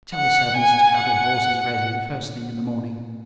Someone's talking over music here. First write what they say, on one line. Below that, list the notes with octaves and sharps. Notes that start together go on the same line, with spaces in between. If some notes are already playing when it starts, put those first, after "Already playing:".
Tell the servants to have the horses ready the first thing in the morning.
F#5
G#5
F#5